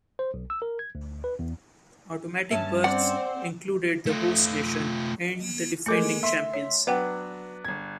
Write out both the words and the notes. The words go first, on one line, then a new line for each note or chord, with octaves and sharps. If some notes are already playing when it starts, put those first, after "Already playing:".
Automatic berths included the host nation and the defending champions.
C5
B1
E6
A#4
G#6
D2
B4
E2
G2 C#4 E5 A5
C4 C5 D5 F#5
A3 F4
G#3 A3 A4 A#4 D6 C#7
E5 C6
C#5
F#3 B3 D4 B4 F#5 G5
G1 G#6